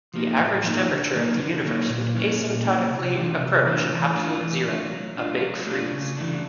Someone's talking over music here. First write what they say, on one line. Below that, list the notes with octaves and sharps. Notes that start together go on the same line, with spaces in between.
The average temperature of the universe would asymptotically approach absolute zero-a Big Freeze.
F3 A#3 D#4
A2
F3 A#3 D#4
D3
F#3 A#3 D#4
D3
F#3 A#3 D#4
A#2
F#3 A#3 C#4 E4
A#2
F#3 A#3 C#4 E4
C3
E3 A3 D4 F4
C3
E3 A3 D4 F4
E3
A3 D4 F4
E3
A3 D4 F4
F#3
A3 D4 F4
F#3
A3 D4 F4
C#3
E3 A3 D4